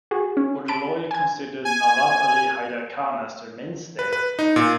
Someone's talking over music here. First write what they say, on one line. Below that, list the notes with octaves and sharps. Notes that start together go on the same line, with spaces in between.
Bordoloi considered Nawab Ali Haider Khan as their mainstay.
F#4 G#4
C#4
A5 B5 D7
G#5 G#6
G#5
B4
B4
D#4
A#2